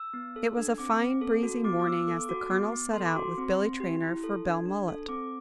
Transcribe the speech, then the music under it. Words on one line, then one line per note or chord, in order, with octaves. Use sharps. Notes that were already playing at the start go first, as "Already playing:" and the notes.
It was a fine breezy morning as the Colonel set out with Billy Traynor for Belmullet.
Already playing: E6
B3
A4
D4
C4 D6
C4
A4
F#4
B3 D6
D6
B3 E6
A4 D6
F#4 D6
B3 D6
B3
A4 C6
D6
F#4 C6
C4
C4
G4
E4
A4
D4
D4
A4
C4 D6